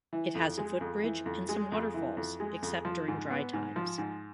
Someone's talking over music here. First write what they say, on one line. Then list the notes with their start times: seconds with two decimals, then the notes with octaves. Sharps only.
It has a footbridge and some waterfalls except during dry times.
0.13 E3
0.35 F2
0.58 G#3
0.81 F2
1.04 E3
1.26 F2
1.49 G#3
1.72 F2
1.94 E3
2.17 F2
2.40 G#3
2.62 F2
2.85 F3
3.08 G#2
3.31 B3
3.53 G#2
3.76 F3
3.98 G#2